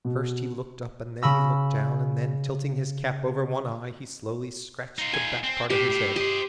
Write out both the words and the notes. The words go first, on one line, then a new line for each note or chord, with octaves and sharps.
First he looked up and then he looked down, and then, tilting his cap over one eye, he slowly scratched the back part of his head.
B2
C#3 B5 E6 A#6
D#4 F4
G#5
C4
A2 G4
A2
G4 C5 D#5